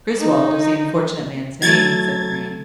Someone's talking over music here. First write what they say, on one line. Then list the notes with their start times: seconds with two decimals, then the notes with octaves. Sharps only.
"Griswold is the unfortunate man's name," said Green.
0.18 D#4
1.62 F#3 A3 G#6 A6